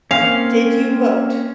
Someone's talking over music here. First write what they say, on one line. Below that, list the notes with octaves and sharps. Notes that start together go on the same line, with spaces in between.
"Did you vote?
A#3 C4 C#4 F5